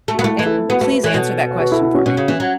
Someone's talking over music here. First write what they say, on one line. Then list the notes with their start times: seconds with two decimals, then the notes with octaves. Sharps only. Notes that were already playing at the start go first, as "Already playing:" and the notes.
An m please answer that question for me.
0.08 A3
0.14 F#4
0.19 B3
0.23 A3 E4 A4
0.39 E3
0.46 E4 A4
0.69 B3 F#4 B4
0.81 A3 F#4 B4
0.92 F#4 B4
1.03 E3 A4 C#5
1.14 B2
1.51 C#5
1.60 F#4 B4
1.72 E4 A4
1.83 E4
1.94 C#4 F#4
2.06 B2 C#4 F#4
2.17 C#3
2.28 E3 C#4
2.40 F#3